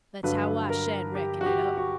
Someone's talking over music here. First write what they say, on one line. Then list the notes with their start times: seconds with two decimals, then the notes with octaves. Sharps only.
That's how I shed reckon it up.
0.23 G2 D3 F#3 B4
0.70 A#4
1.15 G4
1.41 F#4
1.46 G4
1.77 F#4